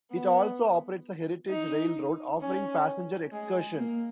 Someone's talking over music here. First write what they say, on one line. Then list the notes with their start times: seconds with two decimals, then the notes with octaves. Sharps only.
It also operates a heritage railroad, offering passenger excursions.
0.12 B3
1.49 D#4
2.41 C#4
3.33 G#3
3.78 A#3